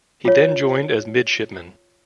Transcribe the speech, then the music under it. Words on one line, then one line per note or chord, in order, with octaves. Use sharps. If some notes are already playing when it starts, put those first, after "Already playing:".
He then joined as midshipman.
F4 C#5